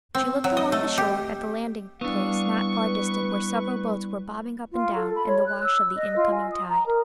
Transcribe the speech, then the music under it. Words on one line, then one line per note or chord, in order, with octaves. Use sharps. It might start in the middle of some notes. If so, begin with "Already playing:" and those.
She looked along the shore at the landing-place not far distant where several boats were bobbing up and down in the wash of the incoming tide.
C4
F#3
D#5
A3
G4
G3 B3 D4 E4 D5 F5 C#6
B4
F4
A4
B5
C#5
F#6
E6
D#5
F4
G#5
D#6
A#5
A#4